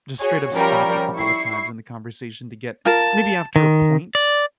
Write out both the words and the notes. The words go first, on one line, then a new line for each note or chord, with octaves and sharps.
Just straight up stop a couple of times in the conversation to get maybe after a point,
F#4 G#4 C#5
F3 G3 C#4 A#4
E4 C#6 C7
F4 A#4 A5
D#3
D5